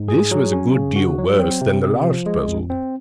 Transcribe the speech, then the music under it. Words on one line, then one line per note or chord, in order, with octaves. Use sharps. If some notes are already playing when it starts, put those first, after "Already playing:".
This was a good deal worse than the last puzzle.
Already playing: G#2
G#4
F#3
C#4
C#3
F#4
F#3
C4
C3
C3
F3
G#3
F2
C4